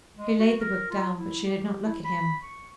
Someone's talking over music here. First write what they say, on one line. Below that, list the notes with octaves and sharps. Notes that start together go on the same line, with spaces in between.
She laid the book down, but she did not look at him.
G#3
F#4
A#4
F4
E4
G4
G4
E4
B5
C#6